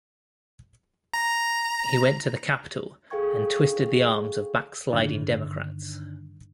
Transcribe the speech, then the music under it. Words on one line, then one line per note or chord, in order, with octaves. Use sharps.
He went to the Capitol and twisted the arms of backsliding Democrats.
A#5
G#4 A4 F5 G5 C#6 G#6
G2 D3 D#3